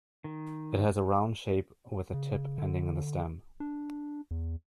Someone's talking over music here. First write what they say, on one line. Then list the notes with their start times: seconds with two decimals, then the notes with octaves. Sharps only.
It has a round shape with a tip ending in the stem.
0.24 D#3
2.14 C#3
2.58 D3
3.60 D4
4.31 E2